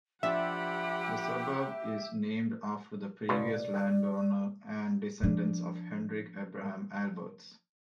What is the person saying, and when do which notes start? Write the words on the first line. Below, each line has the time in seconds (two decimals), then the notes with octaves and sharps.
The suburb is named after the previous landowner and descendants of Hendrick Abraham Alberts.
0.23 F3 D4 G4 E5 F#5 B5
3.29 C#2 B2 D5
5.23 F3 D4